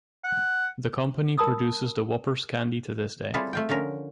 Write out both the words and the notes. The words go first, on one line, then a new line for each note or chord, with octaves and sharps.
The company produces the Whoppers candy to this day.
F#5
A#4 A5 B5 D#6 E6
G3 C4 E4 F4 G#4 A4
A3 F4 G5
D3 F3 C#4 A#4